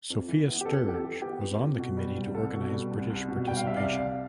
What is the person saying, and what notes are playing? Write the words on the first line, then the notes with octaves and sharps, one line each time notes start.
Sophia Sturge was on the Committee to organize British participation.
F2
E3
B3
G4
F2 A4
F2 G4
A4
E3
B3 G4
F2
F2
B2
G3
C2
C2 A4
B2
G3
C2
C2
B2
G3 G5
F5
C2 E5
D5 F5
C2